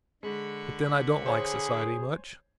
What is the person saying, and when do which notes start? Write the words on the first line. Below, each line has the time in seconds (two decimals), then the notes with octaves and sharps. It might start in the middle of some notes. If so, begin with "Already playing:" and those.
But then, I don't like society--much.
0.23 D3 G#3 B5 C#6
1.26 G#4 C5 C#5 G#5